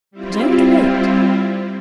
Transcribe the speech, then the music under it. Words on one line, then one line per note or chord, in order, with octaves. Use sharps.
Don't wait.
G3 C4 E4 F4